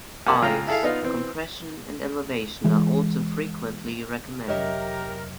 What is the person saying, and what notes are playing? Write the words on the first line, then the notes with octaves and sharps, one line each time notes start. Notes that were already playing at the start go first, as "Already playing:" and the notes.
Ice, compression and elevation are also frequently recommended.
A#3 G4 F#5 G#5 A5
C#2 F4 G#4 G5 A#5
E4 G#4 A4 E5 F5
B3 D#4 F4
E3 C4
E3 G#3
F2 C3 F#3 G4 A#4 C#5 D#5 E5